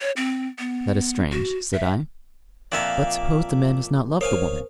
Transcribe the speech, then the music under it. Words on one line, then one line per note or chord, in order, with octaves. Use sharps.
"That is strange," said I; "but suppose the man does not love the woman?"
C#5
C4
B3
F#4
E5
F2 A#2 A#3 D5 E5 F5
A#4 C5 C#5 F5 G#5